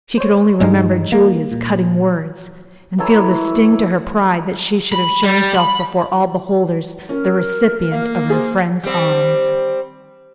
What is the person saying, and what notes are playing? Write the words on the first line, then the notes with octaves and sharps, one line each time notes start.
She could only remember Julia's cutting words, and feel the sting to her pride that she should have shown herself before all beholders the recipient of her friend's alms.
C5 C#5
G2 E3 G3 G#3 D#4
A#3
A#2
E3 F#3 A4 C#5
B5
G3
B5
C#4 A#4
A#3 F5
G#4 C5
G3 C4